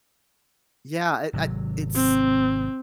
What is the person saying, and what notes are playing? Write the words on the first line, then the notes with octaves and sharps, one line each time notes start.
Yeah, it I it's
G#1 C3 F#3
C4